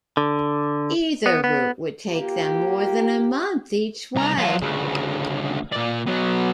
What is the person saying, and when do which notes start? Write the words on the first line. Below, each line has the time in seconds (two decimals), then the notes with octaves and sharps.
Either route would take them more than a month each way.
0.17 D3
1.26 B3
1.44 B3
2.09 A#3 F4 G4
4.16 C2 A#5
4.38 F#3 F4
4.62 D2 C#3
5.72 A#2 D5
6.07 F#3 B3